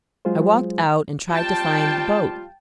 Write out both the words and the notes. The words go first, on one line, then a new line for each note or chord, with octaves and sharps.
I walked out and tried to find the boat.
F#3 G#3 F4 G#4 C5
F2 G3 F4 G5 A5